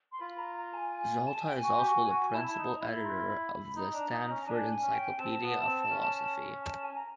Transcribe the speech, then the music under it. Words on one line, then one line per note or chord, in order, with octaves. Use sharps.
Zalta is also the Principal Editor of the "Stanford Encyclopedia of Philosophy".
C6
F4 B5
A#5
A#5
G#5
G#5
A5
G#5
G5
G#5
F#4
G4
F#4
F#4
E4 A5
E4
D#4
A#5
E4
C6
B5
B5
D#4 A#5
D4
D#4
C#4
D4 G#5
G#5
C#4
G5
C4 A5
B3
C4
C#4
A5
A5
G#5
A#5